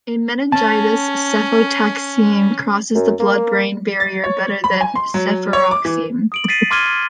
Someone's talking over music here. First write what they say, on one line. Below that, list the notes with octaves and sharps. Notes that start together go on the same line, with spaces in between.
In meningitis, cefotaxime crosses the blood-brain barrier better than cefuroxime.
C#4 A5
F#2
A#3
A6
C#5
B5
G#5
C6
F#3
C#5
D6
E3
D#6 D7 F#7
A6 B6 C7 D#7
C6 D6 F6 G#6 D#7 G7